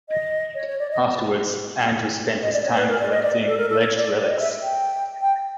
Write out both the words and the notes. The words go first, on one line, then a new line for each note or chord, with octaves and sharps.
Afterwards, Andrew spent his time collecting alleged relics.
D#5
C#5
C#5
D5
D#5
D#5
D5
C#5
B4
A#4
D5
D#5
D5
A4
A#4
A4
C#5
D5
D#5
E5
G5
G5